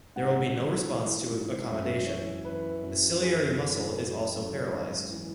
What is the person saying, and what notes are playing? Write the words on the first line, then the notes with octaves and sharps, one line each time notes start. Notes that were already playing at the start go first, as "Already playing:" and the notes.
There will be no response to accommodation - the "ciliary muscle" is also paralyzed.
G#2 F#5
E3
E3
G#2
F#2 E5
E3 C#5
E3 B4
F#2
F#2 G#4
E3
E3
F#2
G#2
E3